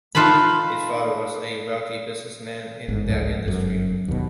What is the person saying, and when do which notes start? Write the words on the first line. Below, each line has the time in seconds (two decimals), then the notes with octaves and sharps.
His father was a wealthy businessman in that industry.
0.15 D#4 F4 B4 A5 B5
2.88 G1 G#2
3.08 C#2 G#2 F3
3.46 G1 F#2
4.08 D#2 B2